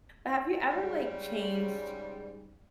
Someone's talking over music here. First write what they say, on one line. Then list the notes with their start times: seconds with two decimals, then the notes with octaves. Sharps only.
But have you ever, like, changed
0.69 G#2 C#3 G3